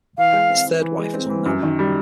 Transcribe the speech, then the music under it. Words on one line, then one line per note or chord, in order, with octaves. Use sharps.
His third wife is unknown.
E3 F5
G#3
C4
E3
E3
G#3
C4
E3
F#2
D#3
G3